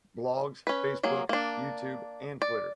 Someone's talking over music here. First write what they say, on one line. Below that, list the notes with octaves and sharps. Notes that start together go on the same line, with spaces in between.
Blogs, Facebook, YouTube and Twitter.
C#4 B4
F#3 A#3 G#4
A#3 D4
D5